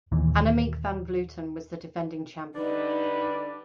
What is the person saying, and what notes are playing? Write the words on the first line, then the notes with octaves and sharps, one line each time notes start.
Annemiek van Vleuten was the defending champion.
D#2 A#2 E3
D3 G3 D4 D#4 B4